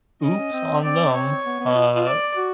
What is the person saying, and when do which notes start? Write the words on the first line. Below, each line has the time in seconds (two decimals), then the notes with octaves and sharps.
Oops on them. Uh,
0.22 C#4 D#5
0.38 C#4
0.53 C4
0.83 C4 D5
1.14 C#5
1.45 B3
1.60 B3
1.75 F4
1.96 F4
2.06 D5
2.37 F#4